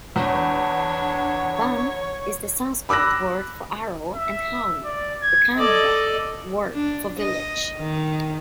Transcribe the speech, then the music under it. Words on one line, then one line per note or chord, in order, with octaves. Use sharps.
"Ban" is the Sanskrit word for 'arrow' and "Halli" the Kannada word for 'village'.
E2 D4 C#5 F#5
B5 D6 E6 F#6 A#6
E5
D5
G#6
A4 D5 D#5
D4
D#5
D#3